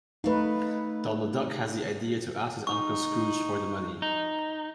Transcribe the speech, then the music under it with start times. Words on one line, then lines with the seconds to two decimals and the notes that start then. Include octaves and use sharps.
Donald Duck has the idea to ask his Uncle Scrooge for the money.
0.24 A3 D#4 B4 F5
2.67 D#4 C#6
4.02 D#4